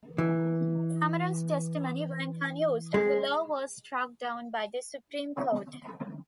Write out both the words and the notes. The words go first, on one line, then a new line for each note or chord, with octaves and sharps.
Cameron's testimony went unused, and the law was struck down by the Supreme Court.
E3
G#3